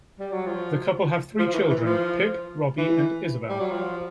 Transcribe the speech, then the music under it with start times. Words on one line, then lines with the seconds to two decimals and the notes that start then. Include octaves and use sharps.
The couple have three children, Pip, Robbie and Isobel.
0.20 G3
0.32 F#3
0.46 F3
1.39 F3
1.54 E3
1.70 E3
1.86 F3
2.78 E3
3.49 G3
3.60 F#3
3.71 F3